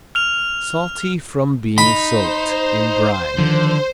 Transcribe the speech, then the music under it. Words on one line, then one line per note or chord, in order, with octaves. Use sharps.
Salty from being soaked in brine.
F6 F7
D#4 B5
C5
D3 D#3 F3